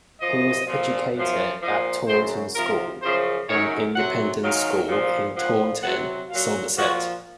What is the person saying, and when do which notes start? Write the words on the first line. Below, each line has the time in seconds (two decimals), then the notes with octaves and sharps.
He was educated at Taunton School, an independent school in Taunton, Somerset.
0.20 F#2 F3 D#5
0.67 A#2 F3
1.13 F#2 F3
1.60 A#2 F3 D#5
2.07 F#2 C#3 F#3 C5
2.54 C3 F3 A#4
3.01 F#2 C#3 F3 C5
3.48 F#2 D#3 F#3 C#5
3.96 C3 F#3 F#5
4.42 G#2 D#3 F#3 F5
4.88 A#2 F3
5.35 A#2 F3 F#5
5.82 C3 F#3 F#5
6.29 A#2 F#3 F5
6.76 A#2 F3 F#4